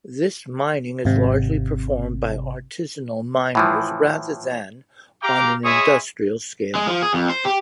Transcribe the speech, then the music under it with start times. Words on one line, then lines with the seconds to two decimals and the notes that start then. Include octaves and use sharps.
This mining is largely performed by artisanal miners, rather than on an industrial scale.
1.05 G#1 C3
3.55 A2 E3 F3
5.22 G4 F5 G5 A#5 D6
5.64 G#3 G#4 C#5 E5 G#5 D#6
6.75 G#3
6.87 F3
7.03 G#4
7.14 F2
7.30 C5
7.45 G4